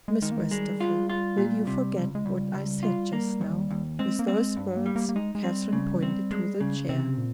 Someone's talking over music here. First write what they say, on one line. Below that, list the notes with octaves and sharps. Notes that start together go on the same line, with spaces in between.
"Miss Westerfield, will you forget what I said just now?" With those words, Catherine pointed to the chair.
G#3
D#3 G#3
A#3
G#3
G3 G#3
F4
F4
A#2
C3
C#2
G#3
C#2 G3
C#2
F4
A#3
D#2
D#2
G#3 C4
A#3
C4
G3
G#3
G2 G3
A#3
G3
A#3
A#3
G#3 D#4
G#3
G3 C4
C#3
C4
G#3
C#3
C3 C4
A#2